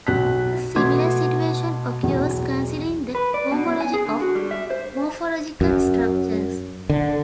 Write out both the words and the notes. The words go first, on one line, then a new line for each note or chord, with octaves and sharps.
A similar situation occurs considering the homology of morphological structures.
B1 F#6 B6
B2 A3 B3 C6 D6 G#6
B1 E2
B4
D5
B2
F#2
G#5
G#4
D3
F#4
G3
E5
C5
F#2
D3